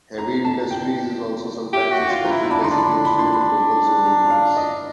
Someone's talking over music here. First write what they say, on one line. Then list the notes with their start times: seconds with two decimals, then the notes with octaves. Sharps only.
Heavy industry is also sometimes a special designation in local zoning laws.
0.18 A#5
0.44 A5
0.71 G5
1.73 G4 E5
1.92 F#4
1.99 G5
2.11 F4
2.25 A#5
2.31 E4
2.50 D4 B5
2.61 D#4 C6
2.71 D4
2.78 B5
2.92 C6
3.05 B5
3.19 C6
3.33 B5
4.05 A#5
4.30 F5
4.57 D#5